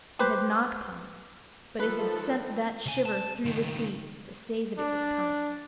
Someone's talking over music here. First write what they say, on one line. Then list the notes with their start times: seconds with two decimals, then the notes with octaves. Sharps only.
It had not come, but it had sent that shiver through the sea to say that it was coming.
0.19 G4 B4 C5
1.79 D#3 F3 A4 B4
2.86 C3 G#5
3.05 A5
3.45 C#2 D#3
4.78 D4